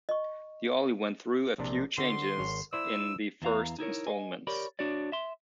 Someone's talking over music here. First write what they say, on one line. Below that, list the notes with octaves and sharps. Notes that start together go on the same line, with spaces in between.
The Alley went through a few changes in the first installments.
D#5 C#6
A#1 C3 D4
D3 F#4 C5 C6
G#1 C#5
E4 C5 D5 E6
E2 E3 F5 A#5
D#4 E4 A#4 C#5
D#5 G#5
G4 A#4 C#5 D5 B5
D4 F#4 C#5 D5
E5 C6